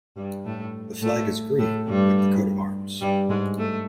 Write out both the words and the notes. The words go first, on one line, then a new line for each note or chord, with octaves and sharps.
The flag is green like the coat of arms.
G2 G3
A2 A3
A2 A3
A2 A3
G2 G3
G2 G3
G#2 G#3
A3